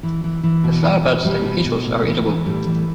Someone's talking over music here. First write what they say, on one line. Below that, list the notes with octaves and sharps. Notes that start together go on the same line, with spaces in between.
The flower buds and petals are edible.
E3
E3
E3
B2
B2
B2
B2 G3
B2
B2
A2
E3
E3
A2 G3
E3